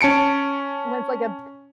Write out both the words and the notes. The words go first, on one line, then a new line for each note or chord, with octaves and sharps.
When it's, like, a
C#4 A5 C#7 D7